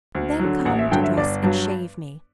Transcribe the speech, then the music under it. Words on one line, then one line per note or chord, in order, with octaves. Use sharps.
"Then come to dress and shave me."
D2
F#3
D3
A1 F#5
E5
G2 D3 F#3 G5
E5
G1 D5
G2 F#3